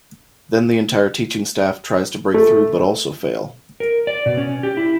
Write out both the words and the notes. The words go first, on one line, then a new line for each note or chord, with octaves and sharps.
Then the entire teaching staff tries to break through but also fail.
A3
A#4
D5
B2
C#4
G4
E4